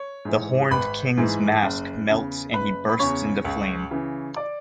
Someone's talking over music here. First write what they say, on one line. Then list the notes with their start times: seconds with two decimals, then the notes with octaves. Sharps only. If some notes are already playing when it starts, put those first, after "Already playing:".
The Horned King's mask melts and he bursts into flame.
Already playing: C#5
0.25 G#2 E3
0.71 G#1 B4 B5
1.17 G#2 E3
1.62 F#1
2.09 E2 C#3
2.54 F#1 B4 B5
2.89 B5
2.99 E2 C#3 C#5 C#6
3.45 C#2
3.91 C#3 E3
4.36 D5 D6